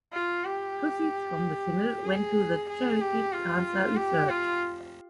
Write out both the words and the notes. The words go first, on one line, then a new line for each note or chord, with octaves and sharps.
Proceeds from the single went to the charity Cancer Research.
F4
G4
G#4
G#4
G4
F4
G4
F4